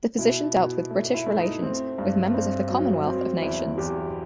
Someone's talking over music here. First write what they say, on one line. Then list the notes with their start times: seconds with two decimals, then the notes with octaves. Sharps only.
The position dealt with British relations with members of the Commonwealth of Nations.
0.19 B2 E4
0.55 B2
0.91 A3
1.14 E4
1.26 A3
1.39 D#4
1.62 A3 C4
1.98 G2
2.34 G2 C4
2.70 F#3
3.06 F#3 C4
3.42 E2 E4
3.78 E2 G4